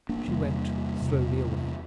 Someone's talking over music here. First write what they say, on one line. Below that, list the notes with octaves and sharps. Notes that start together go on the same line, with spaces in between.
She went slowly away.
A#3 D4
E2 C3 G3 A#3
E2 C3